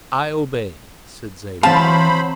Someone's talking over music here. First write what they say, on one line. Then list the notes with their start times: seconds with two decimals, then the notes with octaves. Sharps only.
"I obey," said Zadok.
1.63 E3 F#3 C4 C5 F5 A5 B5